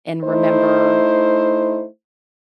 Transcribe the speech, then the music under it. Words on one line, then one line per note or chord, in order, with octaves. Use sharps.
and remember,
A3 D#4 E4 C5